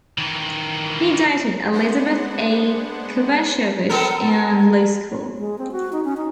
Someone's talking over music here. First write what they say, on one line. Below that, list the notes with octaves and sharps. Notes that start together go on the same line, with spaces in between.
He dated Elizabeth A. Kovachevich in law school.
D#3 E3
G#3 B3 D4 C5 F#5
B3 A4 A#4
G#3
C4
F#4
D#4
C#4
D#4